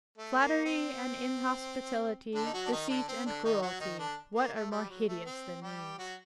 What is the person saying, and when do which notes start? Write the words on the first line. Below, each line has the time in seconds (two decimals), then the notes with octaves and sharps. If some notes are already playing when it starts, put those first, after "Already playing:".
Flattery and inhospitality, deceit and cruelty,--what are more hideous than these?
0.18 A3
0.41 A#3
0.66 C4
2.35 D3 D4
2.45 D#4
2.53 F#3 F#4
2.66 D4
2.72 D#3 D#4
2.89 D3 D4
3.08 C4
3.26 D3 D4
3.44 D#3 D#4
3.62 F#3 F#4
3.80 D#3 D#4
3.98 D3 D4
4.35 A#3
4.53 A3
4.71 G3
4.89 F#3
5.08 A3
5.26 C4
5.62 G3 G4
5.98 F#3 F#4